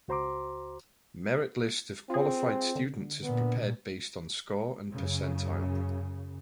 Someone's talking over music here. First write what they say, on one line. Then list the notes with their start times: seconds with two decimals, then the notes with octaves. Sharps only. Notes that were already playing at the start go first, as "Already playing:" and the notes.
Merit list of qualified students is prepared based on score and percentile.
0.08 C#2 F#4 C5 A#5 C6 D6
2.10 C4 F4 G#4
2.76 D3
3.24 A#2 B3
4.92 F#2 C#3